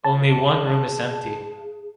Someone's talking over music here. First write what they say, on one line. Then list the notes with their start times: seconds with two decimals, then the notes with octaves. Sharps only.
Only one room is empty.
0.04 G#4 A5